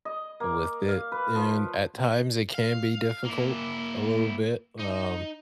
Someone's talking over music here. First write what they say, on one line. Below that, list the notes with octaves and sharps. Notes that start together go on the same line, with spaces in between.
with it. And at times, it can be difficult a little bit, um,
D#5
A#3
F5
B4
F3
F5
A#3 E4
D#4